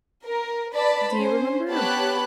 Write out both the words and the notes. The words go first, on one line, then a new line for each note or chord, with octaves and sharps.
Do you remember
A#4
B4 D5 A5 B5
C#4 C5
B3 G4 C#5 A5 B5 F#6